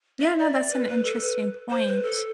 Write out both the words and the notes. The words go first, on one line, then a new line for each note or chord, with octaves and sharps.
Yeah, no, that's an interesting point.
E5
D5
D5
B4
B4
A4
B4
C5
B4
A4